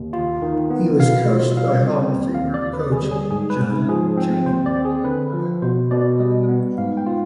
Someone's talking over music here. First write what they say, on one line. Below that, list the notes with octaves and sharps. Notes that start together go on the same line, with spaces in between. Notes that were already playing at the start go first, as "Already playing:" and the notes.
He was coached by hall of famer coach John Chaney.
Already playing: D#2
F4
D#3
B3
B2 F5
F4
G3 F5
C4
D#2
F5
D#2
D5
D3 B4
G#4
G3
G#4
G#2 G#4
B4
G#2
F3 G#4
C4
D#2 C5
D5
C4
G#4
D3 B4
F3
B2 C5
B2 D5
G3 D#5
B3
G#2 F5
G5
F4